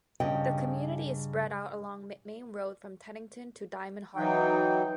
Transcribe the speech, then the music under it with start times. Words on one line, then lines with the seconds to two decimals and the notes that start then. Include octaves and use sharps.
The community is spread out along the main road from Teddington to Diamond Harbour.
0.20 G2 C#3 D#5 G5
4.16 E3 F#3 D#4 G5